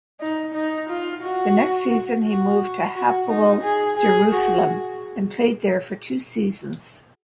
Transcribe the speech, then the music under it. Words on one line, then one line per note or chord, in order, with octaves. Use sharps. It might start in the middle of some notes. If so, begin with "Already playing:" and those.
The next season, he moved to Hapoel Jerusalem and played there for two seasons.
D#4
D#4
F4
F#4
F#4
F#4
D#4
G#4
G#4
F#4